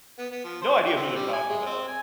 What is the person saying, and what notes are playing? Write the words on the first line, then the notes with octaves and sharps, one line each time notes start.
No idea who they're talking about.
B3
B3
F3
C5
G4
C4
G3
G#5
G#3
C4
G#5